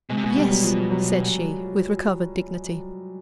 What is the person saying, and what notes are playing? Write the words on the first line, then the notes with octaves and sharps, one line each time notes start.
'Yes!' said she, with recovered dignity.
B2 G#3
C3
B2 G#3
G3
F#3
F3
F#3